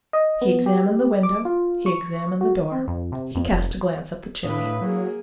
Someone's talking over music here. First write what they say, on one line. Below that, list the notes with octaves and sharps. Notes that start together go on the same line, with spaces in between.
He examined the window; he examined the door; he cast a glance up the chimney.
D#5
B3
G4
D6
F4
C#6
F#4
C4
F2
C3
F2
F1
A2 D4 E4 B4 F5 D#6
F#3 A#3 G#4